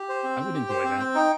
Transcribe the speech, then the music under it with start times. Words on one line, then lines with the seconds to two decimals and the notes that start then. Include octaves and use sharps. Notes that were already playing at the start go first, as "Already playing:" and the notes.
I would enjoy that.
Already playing: G4
0.09 C5
0.24 C4
0.39 G5
0.54 G4
0.69 C5
0.84 C4
1.00 G5
1.15 D#4